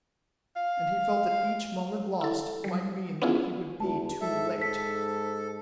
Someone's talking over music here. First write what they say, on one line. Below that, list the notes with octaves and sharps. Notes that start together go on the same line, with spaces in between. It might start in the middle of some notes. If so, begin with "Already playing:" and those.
And he felt that each moment lost might mean that he would be too late.
F5
E4 A4
F#3 G3
B3 C#4 D4 E4 F4 G#4
E2 F#4 A5
G#2 A4 E5
A4 B6